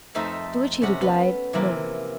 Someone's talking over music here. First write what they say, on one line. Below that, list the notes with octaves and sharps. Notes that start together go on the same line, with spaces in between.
To which he replied, "No."
F2 A3 D#4 A4 C5 E5
C3 C#4 F#5
B3
C3 E3 F3 A#3